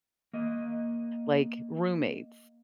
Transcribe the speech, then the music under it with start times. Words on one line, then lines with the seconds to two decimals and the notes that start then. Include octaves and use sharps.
like roommates.
0.33 A#3 D#5